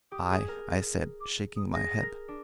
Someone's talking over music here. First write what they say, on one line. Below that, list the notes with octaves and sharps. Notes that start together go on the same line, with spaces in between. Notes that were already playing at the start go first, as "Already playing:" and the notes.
"Aye!" I said, shaking my head.
G4 D#6
G#4
A#4
D6
D#6
G#4 A#6
A#4
D4